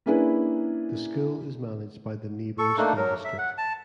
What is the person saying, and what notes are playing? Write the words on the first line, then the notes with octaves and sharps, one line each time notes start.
The school is managed by the Nebo School District.
A#3 C#4 D4 E4 G#4 B4
A4 C#6
A3 A#3 D4 D#4
F#3 A#4
E5
F#5
A5